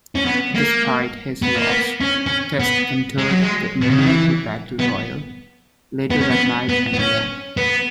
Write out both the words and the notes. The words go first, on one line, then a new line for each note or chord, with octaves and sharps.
Despite his loss, Test entered the Immunity Battle Royal later that night and won.
C#4
B3
A#3
B3
A#3
B3
C#4
C#4
B3
G#3
F#3
G#3
B2
C#3
D#3
E3
B3
B3
C#4
B3
B3
B3
C#4
B3